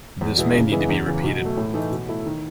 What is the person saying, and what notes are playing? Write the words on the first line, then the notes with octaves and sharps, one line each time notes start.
This may need to be repeated.
E2
B2 G#3 B3 E4
C#3
E3 G#3 B3 E4
E2
C#3 E3
B2
F#3 A3
A2
E3 A3 D#4
B2
A3 E4
D#3